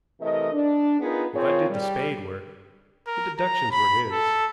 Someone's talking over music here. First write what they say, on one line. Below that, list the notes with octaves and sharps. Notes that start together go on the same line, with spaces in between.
If I did the spade work, the deductions were his.
C3 E3 A3 A#4 D#5
D4
B3 D#4 F4 G#4 A#4 B4
F3 C4 F4 G#4 A#4 C#5
G3
A#4
A#5
B5
A4